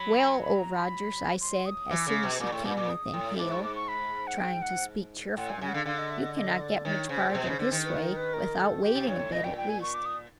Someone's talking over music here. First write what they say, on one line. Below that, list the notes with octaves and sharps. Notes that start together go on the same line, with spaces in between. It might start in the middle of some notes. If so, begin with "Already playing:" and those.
"Well, Old Rogers," I said, as soon as he came within hail, trying to speak cheerfully, "you cannot get much farther this way--without wading a bit, at least."
Already playing: F#3 B5
B5
A#5
B5
C6
D#6
E3 D6
C#3
B2
A#2 D6
A2 C#6
A#2 D6
A#2 D6
D#6
A2
G#2 D6
C#6
D6
C#6
B5
F#5
G5
F#5
A2 F#5
A#2 G#5
C#3 G#5
F#5
D3 F5
D3 F5
D#5
E5
D#5
D#5
D5
D#3 C#5
C#3 C5
A#2
B2
C#3
D3
D#3
B4
A#4
B4
A#4
A4
G4
C3
G2 C#5
A2
A#2 D#5
G5
G5
G#5
C#6
D6
D#6